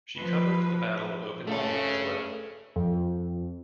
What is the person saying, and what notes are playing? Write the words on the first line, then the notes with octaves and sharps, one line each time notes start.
She covered the battle of Okinawa as well.
F3 B4
C#3 A3 A4
F2